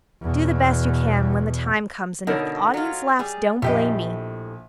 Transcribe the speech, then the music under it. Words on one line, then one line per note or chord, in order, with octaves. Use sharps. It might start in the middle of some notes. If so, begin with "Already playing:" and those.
Do the best you can when the time comes, and if the audience laughs, don't blame me.
E2 B2
B2 D3 D#4 A#4 C#5
F#3 F4
G3 G#4
A#1 A2 G4 D#5